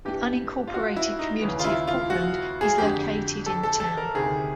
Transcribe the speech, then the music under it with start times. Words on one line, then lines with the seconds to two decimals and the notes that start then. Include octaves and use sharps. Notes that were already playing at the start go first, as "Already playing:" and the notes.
The unincorporated community of Portland is located in the town.
0.05 G2 E3 G4
0.67 F4
0.74 F#4
0.96 E4
1.19 D#4
1.41 D#2 C#3 E3
1.59 F4
1.64 E4
1.87 F4
2.10 F#4
2.61 G#4
2.78 F2 D3 G4
3.46 A4
3.63 A4
3.80 A4
3.97 A#4
4.15 D2 C3 D#3 G#4